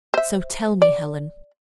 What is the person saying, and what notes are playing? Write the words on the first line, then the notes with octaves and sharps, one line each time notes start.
So tell me, Helen.'
C5 E5
D5